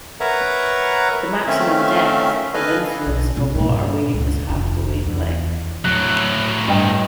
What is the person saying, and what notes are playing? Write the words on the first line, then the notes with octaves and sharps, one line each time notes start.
The maximum depth of influence of a water wave is half the wavelength.
A#4 B4 C#5 E5 F#5 A#5
D#3 A3 C4 C#4 E5 F5
A4 B4 D#5 F5 G#5
B1
C3 F4
G2 A#2
C#2 C#3
F1 F4
E2
A2 F#3 F#6
G2 D#5 G5